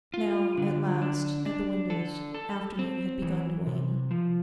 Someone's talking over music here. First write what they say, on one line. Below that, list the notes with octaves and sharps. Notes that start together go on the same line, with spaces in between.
Now, at last, at the windows; afternoon had begun to wane.
F4
D3
D4
D4
A4
A4
C4
E3
C3
F3